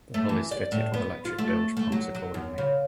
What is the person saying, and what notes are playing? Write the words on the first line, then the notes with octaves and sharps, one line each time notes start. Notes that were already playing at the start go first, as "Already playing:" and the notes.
The hull is fitted with electric bilge pumps accordingly.
A3
E3
D5
A2
B3
F4
A3
A3
F#3
F#3
F#2
C#3